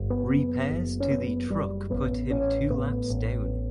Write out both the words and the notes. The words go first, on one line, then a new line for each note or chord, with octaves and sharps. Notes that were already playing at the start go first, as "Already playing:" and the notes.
Repairs to the truck put him two laps down.
Already playing: G1
B3
F#1
F#1
C#4
F#1 B3
F#1 G3
A1 B3
A1 C#4
A2 B3
A1